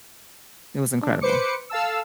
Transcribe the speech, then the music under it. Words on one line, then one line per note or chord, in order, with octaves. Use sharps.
It was incredible.
D4
B4 C5 D6 C#7
A4 F5 A5 E6